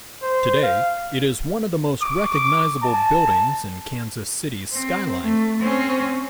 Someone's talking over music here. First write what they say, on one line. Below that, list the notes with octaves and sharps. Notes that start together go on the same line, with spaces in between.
Today, it is one of the most recognizable buildings in Kansas City's skyline.
C5
F5
D6
A5
C4
A3
C4 C#4